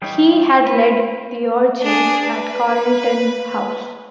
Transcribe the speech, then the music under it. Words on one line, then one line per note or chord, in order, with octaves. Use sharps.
He had led the orgies at Carlton House.
E3 G3 C#4 D#4 F4
B4
D4 G#4
B4